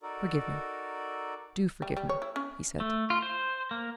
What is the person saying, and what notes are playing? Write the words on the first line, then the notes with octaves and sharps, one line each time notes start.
"Forgive me--do forgive me," he said.
D#4 F#4 A4 A#4 D5
G3
G3
C#5
E4
C#4
A3
F4
C5
A#3